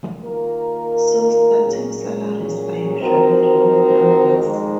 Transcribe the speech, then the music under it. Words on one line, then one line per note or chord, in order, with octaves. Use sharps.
So starting salaries are usually round numbers.
D#3 A#3 F4 A#4
A#2 F#3 A#3 C#4 G#4
F3 C4 D#4 F#4 A#4
F2 D#3 G#3